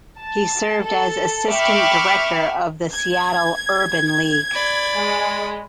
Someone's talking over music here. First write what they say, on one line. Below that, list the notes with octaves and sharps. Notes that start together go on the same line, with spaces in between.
He served as Assistant Director of the Seattle Urban League.
A5
A4
E5 G5 B5 C#6 D6 F6
G#6
D5 B5
G#3